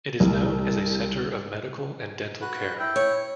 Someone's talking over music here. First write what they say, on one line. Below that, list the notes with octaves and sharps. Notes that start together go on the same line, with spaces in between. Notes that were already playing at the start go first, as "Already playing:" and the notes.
It is known as a center of medical and dental care.
C2
F#4 B4 F#6
E4 G5
C#5